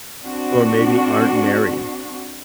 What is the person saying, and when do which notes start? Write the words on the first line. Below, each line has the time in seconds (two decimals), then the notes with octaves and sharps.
or maybe aren't married.
0.23 C4 D4 F#4